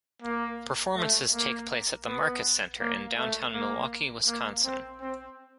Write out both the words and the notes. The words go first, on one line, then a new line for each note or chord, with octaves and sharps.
Performances take place at the Marcus Center in downtown Milwaukee, Wisconsin.
A#3
A3
A#3
B3
A#3
A3
A#3
A#3
C4
C4